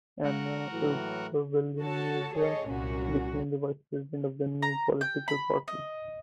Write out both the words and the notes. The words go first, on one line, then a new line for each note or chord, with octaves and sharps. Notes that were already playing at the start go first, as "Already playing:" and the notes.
Ana Elisa Villanueva became the vice president of the new political party.
G#3 F#4 A#4 F#5
A2 E3 F#3
F#4 A4 C#5 A5
G#4 A4 C#5 D#5
C2 F#2 A#2 C#4 F#4
A#5
G5
B5
D#5